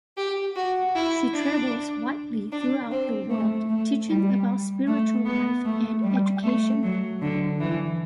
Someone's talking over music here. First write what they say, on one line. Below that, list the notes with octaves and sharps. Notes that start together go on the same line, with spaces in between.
She travels widely throughout the world teaching about spiritual life and education.
G4
F#4
E4
D4
D4
C4
A3
A3
G3
A3
B3
A3
G3
A3
F#3
D3
E3